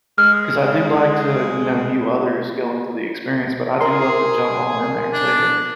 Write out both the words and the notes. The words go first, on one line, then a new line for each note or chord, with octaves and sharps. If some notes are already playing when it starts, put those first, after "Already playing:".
'cause I do like to, you know, view others going through the experience, but I do love to jump on in there too.
G#3 F6
G#4 A#4 C6
D4